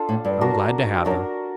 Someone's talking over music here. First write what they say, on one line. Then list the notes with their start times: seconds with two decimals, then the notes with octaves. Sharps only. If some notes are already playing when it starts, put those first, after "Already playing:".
I'm glad to have them.
Already playing: D4 F4 A4
0.09 A2
0.25 G2
0.41 D4 F#4 A#4
1.05 F#2 D4 F#4 A#4